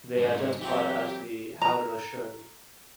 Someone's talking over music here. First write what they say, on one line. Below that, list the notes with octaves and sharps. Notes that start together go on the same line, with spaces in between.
They identified as the Haudenosaunee.
F#3 G#3 D#4
E3 F#3 C4 G4
A#5